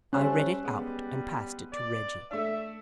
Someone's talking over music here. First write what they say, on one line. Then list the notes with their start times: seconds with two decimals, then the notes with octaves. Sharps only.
I read it out and passed it to Reggie.
0.13 G3 A3 C#4 C5 F#6
0.63 G3 G#3 B3
1.72 D5
2.31 A3 D4 E5